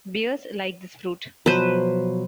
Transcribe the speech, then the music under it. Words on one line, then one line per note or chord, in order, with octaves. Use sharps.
Bears like this fruit.
B2 F3 F#3 B4 C5